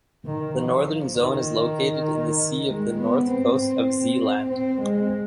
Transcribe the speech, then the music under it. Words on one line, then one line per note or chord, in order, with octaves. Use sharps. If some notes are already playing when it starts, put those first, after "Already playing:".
The northern zone is located in the sea off the north coast of Zeeland.
D#3
F3
D#3
G#3
B3
C4
C4
G#3